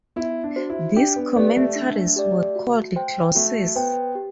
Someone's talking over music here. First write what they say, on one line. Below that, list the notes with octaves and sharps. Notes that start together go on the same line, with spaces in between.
These commentaries were called glosses.
B3 E4
D4
F#4 C5
E4
D4 G4
B3
B3 G4 D5
A3
D4
G4 D5
F#4
C5 G5
A3 F#4
B3 C5 G5
G4